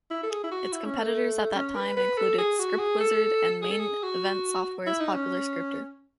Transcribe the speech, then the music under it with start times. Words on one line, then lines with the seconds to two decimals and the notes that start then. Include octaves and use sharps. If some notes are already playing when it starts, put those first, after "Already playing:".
Its competitors at that time included ScriptWizard and Main Event Software's popular Scripter.
0.11 E4
0.23 A4
0.30 G#4
0.44 E4
0.51 F#4
0.73 E4
0.86 C#4
1.00 A3
1.55 C#4
1.76 B4
1.97 B4
2.18 A4
2.38 G#4
2.59 F#4
2.79 G#4
3.01 A4
3.62 G#4
3.71 A4
3.80 G#4
4.03 F#4
4.86 E4
5.00 D#4
5.14 C#4